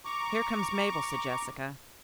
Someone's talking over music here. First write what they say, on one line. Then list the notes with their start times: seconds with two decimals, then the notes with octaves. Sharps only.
"Here comes Mabel," said Jessica.
0.05 A#5 C#6 D6